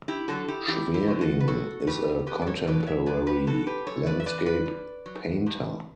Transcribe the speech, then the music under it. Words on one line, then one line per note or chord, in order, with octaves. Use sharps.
Schwering is a contemporary landscape painter.
E4 G4
D3 F#3 F#4 A4
E4 G4
E2 E4 G4
E4 G4
D3 F#3
F#4 A4
B4
E2 F#4 A4
B2 F#3 G4 B4
E2 G4 B4
D5
A4 C#5
B2 F#3 B4 D5
C#5 E5
F#2 B4 D5
G4 B4
E3 F#4 A4
G4 B4
F#2 A4 C#5
B4 D5
E5
E3 B4 D5
B4 D5
G2
F#3
G2